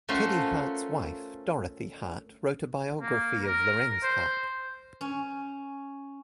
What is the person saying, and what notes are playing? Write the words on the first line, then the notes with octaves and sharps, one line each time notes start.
Teddy Hart's wife, Dorothy Hart, wrote a biography of Lorenz Hart.
A3 C#4 F4 A#4 C5 F#5
A#3
A#4
C5
C#4